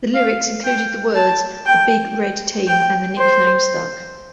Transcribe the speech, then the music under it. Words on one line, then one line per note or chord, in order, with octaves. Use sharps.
The lyrics included the words "the big, red team," and the nickname stuck.
F5
G5
A5
G5
G5
C5